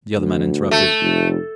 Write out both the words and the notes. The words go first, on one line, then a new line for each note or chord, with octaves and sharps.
The other man interrupted.
D2
A3
F1